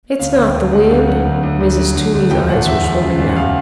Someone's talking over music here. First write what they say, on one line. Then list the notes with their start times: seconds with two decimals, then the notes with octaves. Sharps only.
"It's not the wind." Mrs. Toomey's eyes were swimming now.
0.19 D2 F5
0.37 D3
0.46 G5
0.55 D2
0.73 D2 F#5
0.90 D3 F5
1.07 F#3 F#5
1.25 D2
1.43 D2
1.61 D2
1.77 F#3
1.95 D2
2.14 D2
2.31 E1 G5
2.49 E2 F#5
2.66 E1 E5
2.84 E1
3.01 C#3
3.18 E2
3.29 F#5
3.36 F5